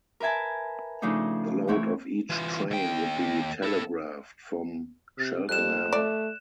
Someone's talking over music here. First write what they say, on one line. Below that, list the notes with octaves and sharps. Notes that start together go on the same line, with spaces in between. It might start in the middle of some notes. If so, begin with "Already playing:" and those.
The load of each train would be telegraphed from Cheltenham.
A#4 B4 E5 G#5 A5
C#3 F3 A3 D4 D#4
E3 A3 C4 E4 C#5
E3 F4
D#2 G5
E4 A4
C3
F2 G3 F#6 E7
A3 D5